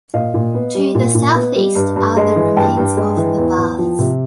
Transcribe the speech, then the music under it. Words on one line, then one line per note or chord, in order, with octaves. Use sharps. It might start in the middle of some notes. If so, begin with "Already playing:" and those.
To the southeast are the remains of the baths.
A#2 D#5 F5
A#2
B3
G3
A#2
A#2
B3
G3
G2
G2
G#3
E3
G2 G5 A5
G2
G#3
E3
E2
E2
F3
C3